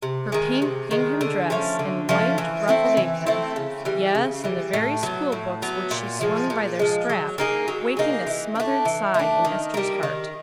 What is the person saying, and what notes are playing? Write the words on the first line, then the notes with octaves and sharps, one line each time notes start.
Her pink gingham dress, and white, ruffled apron--yes, and the very school books which she swung by their strap, waking a smothered sigh in Ester's heart.
C3
D#3 G#3
C3
D#3 G#3
D3
F3 A3 C#4
D3
F3 A3 C#4
E3
A3 C4 E4
E3
A3 C4 E4
C#3
E3 G3
C#3
E3 G3
A2
F#3 B3
A2
F#3 B3
A#2
F3 G#3
A#2
F3 G#3
F#3
A#3 D#4 G#4
F#3
A#3 D#4 G#4
E3
A3 D4
E3
A3
D4
D#3
G3 A#3
D#3